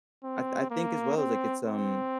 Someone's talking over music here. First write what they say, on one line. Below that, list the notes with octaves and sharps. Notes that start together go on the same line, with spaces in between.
I I think as well, like, it's, um
C4
A#3
C4
C4